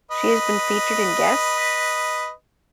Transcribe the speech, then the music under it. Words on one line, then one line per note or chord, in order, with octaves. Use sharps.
She has been featured in Guess?
B4 D#5